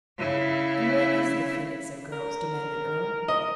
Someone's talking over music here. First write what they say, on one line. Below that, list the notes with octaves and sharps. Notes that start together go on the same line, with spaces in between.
"And where is the phoenix of girls?" demanded Earle.
C#3 E4
A#4
D#5